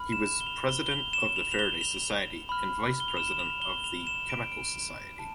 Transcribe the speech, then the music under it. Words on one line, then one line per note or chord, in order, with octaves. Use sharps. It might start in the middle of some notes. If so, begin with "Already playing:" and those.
He was President of the Faraday Society and Vice-President of the Chemical Society.
Already playing: B5 F6
E7
G7
F7
G7
G7
F7
E7
F7
F7
G7
F7
B5 F6
G7
F7
E7
E7
F7
G7
F7
E7
D7
D7
A5